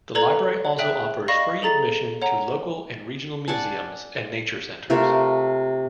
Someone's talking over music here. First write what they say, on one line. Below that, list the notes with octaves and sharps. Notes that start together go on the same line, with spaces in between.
The library also offers free admission to local and regional museums and nature centers.
A4 B4 D5 A#5 G#6 F#7
C#5
G#4 E5 G5 F#6 F#7
D5 D#5 F5 B5 C#6 A#6
G#4 A4 A#5 A6
C#5 F#5 A#5
D5 F#5 G#5 A5
C3 A3 F4 A#4